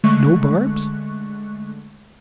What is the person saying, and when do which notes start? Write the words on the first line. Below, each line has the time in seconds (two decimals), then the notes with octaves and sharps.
"No barbs?"
0.04 D3 G#3 A3 C#6 F#6